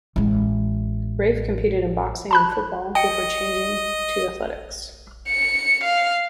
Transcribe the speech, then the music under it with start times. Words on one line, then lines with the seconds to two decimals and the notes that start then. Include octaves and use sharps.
Reiff competed in boxing and football before changing to athletics.
0.16 A1 G#3
2.31 A5 B5 F#6
2.95 D#5 G5 C#7
5.29 C#7
5.84 F5